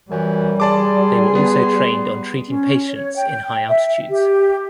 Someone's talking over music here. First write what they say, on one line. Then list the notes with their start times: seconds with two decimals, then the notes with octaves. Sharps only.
They were also trained on treating patients in high altitudes.
0.11 F#2 E3 G3
0.60 G#4 D5 A5 C6 D6
1.35 B3
2.47 C#4
2.88 C#5
3.16 G5
3.68 E5
4.09 G4